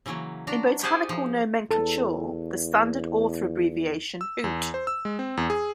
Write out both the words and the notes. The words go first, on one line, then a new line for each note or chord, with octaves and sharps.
In botanical nomenclature, the standard author abbreviation Houtt.
C#3 E3 F#3 A#3 C#4
D4 F#4 A#5
G4 G#4 C5 F#5 G#5 A5
F3
E2 A4
E6
E2
C5
E6
G#3
C4
E2
G#4